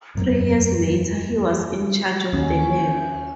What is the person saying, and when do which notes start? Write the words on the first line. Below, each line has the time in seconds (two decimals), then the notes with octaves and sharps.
Three years later, he was in charge of the lab.
0.15 E1 F#2
2.33 D#2 C#4 F#4